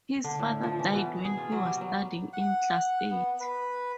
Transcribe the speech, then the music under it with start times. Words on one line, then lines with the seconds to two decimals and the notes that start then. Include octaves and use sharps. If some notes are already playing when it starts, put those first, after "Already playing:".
His father died when he was studying in class eight.
0.24 D3
0.39 A2
0.63 F3
0.79 E3
0.94 B2
1.25 G#4
1.37 F4
1.52 F#3
1.65 G3
1.81 F#3
2.33 F#5
3.11 B3
3.40 B4